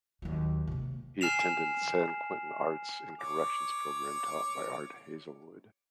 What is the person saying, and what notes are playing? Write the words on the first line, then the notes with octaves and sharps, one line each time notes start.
He attended San Quentin Arts in Corrections Program taught by Art Hazelwood.
D#2 F#3
C3 A#3
G#5 F6 C7 E7 F7
C#5 D6